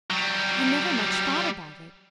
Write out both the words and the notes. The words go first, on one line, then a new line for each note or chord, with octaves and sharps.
I never much thought about it.
F#3 G3